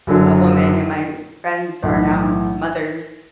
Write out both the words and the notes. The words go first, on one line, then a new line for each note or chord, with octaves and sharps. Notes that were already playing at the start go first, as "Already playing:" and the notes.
a woman and my friends are now mothers,
F#1 F#2 D3 F#3
B1 A2 E3